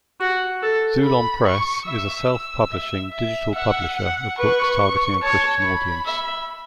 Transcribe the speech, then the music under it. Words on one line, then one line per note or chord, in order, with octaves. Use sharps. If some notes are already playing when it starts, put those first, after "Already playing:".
Xulon Press is a self-publishing digital publisher of books targeting a Christian audience.
F#4
A4
B5
C#6
E5 E6
E5
E5
E5 F#5
F#5
B4 C#6
C#5 A5
B5
E5